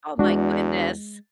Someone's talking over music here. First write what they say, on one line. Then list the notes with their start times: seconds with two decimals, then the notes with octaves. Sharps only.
Oh my goodness.
0.19 E2 G#3 D4 F#4